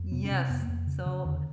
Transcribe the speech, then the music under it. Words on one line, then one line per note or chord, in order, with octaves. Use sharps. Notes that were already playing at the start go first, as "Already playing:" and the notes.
Yes. So,
Already playing: F2
C3 B3
C#4
C3
C4
F2 B3
A#3
F2
C#3
C#3
E2 D3